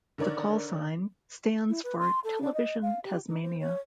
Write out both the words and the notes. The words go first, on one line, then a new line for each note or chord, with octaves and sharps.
The callsign stands for "TeleVision Tasmania".
D3 D#3 A#4 C#5 D5
E4
B4
C6
A4
D4
D#5
F5
G4
D#4
C5
C#5